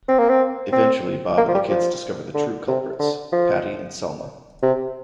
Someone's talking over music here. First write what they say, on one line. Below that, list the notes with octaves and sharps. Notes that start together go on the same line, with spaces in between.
Eventually, Bob and the kids discover the true culprits, Patty and Selma.
C4
A#3
C4
C4
A#3
F3
G3
F3
D3
C3
D3
F3
C3